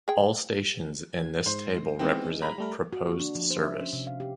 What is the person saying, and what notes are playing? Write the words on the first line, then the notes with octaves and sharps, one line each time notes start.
All stations in this table represent proposed service.
G#4 G5
G#6
G#2 C5
D#3 E3 G#3 B3 C4
A#5 B5
G3 A3 A#4
F#4
A#3
D4
F3
C5
E5
C#4
C3
F5
G4